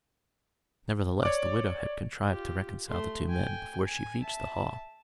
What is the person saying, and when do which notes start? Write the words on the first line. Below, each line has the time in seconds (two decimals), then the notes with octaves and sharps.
Nevertheless, the widow had contrived to reconcile the two men before she reached the Hall.
1.23 C#5 D5 D6
2.29 F4 G4
2.89 A3 C6
3.29 G5 G#5
3.85 G#5
4.20 E5 A5